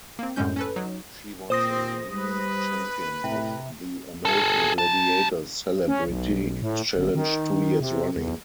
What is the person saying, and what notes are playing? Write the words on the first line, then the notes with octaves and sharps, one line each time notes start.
She was the reigning champion of the "American Gladiators" Celebrity Challenge two years running.
A#3 C4
F#2 A2 D3 G#3 C#4 G6
C#4 A4 B4
F#3 D#4
A#2 C4 C5 D#6 A#6
G3 B4
A2 C3
G#4 A4
F#3 A5
C#4
B1
A2
G1
D#3
C3
E2